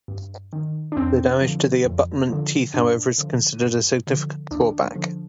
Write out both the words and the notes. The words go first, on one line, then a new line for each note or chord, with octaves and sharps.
The damage to the abutment teeth, however, is considered a significant drawback.
G2
D#3
D4
F2 C4
D3 F3
F2
D3 F3
G2 D4
D3 F3
G2
D3 F3
D#2 D4
D3 F3